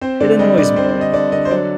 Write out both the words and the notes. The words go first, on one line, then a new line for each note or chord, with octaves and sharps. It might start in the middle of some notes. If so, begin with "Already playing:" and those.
It annoys me a bit.
C4 C5
D3 D5
G3 D#5
D3 D5
C4 C5
D5
D3
D#5
D3 D5
D3 D#5
C5
F#3 D5